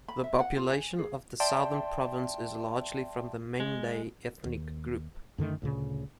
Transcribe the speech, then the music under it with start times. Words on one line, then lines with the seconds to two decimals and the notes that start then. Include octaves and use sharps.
The population of the southern province is largely from the Mende ethnic group.
0.08 B5
0.24 E5
0.40 F#5
0.57 F4
0.71 G#5
0.99 G#4
1.40 D5 E5 G5 A5 C6
3.60 G#3
4.45 D#2
5.38 F#2 D3 D#3 A3
5.62 D2 A#2 C#3